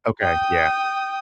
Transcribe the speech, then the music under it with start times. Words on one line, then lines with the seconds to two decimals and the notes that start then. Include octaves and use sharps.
Okay. Yeah.
0.21 G5 D#6